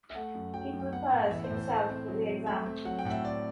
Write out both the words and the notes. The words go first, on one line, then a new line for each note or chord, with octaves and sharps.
He prepares himself for the exam.
E5
A3 F#5
F#2
F#3 G5
F#2
G5
B3 F#5
A2
E3 E5
C5
A2
C5
A3 C5
C4
F#3
C3
A3 E5
C4
F#3 F#5
G5
A2 F#5
E5
C4 D5